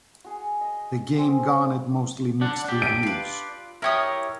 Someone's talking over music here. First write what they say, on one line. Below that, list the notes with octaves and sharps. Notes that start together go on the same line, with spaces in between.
The game garnered mostly mixed reviews.
F#4 G#4
D#5
C4 F#4 G#5
D4 F#5
D4 G4
D7
F4 B4
E4 G4 A#4 C#5 D#6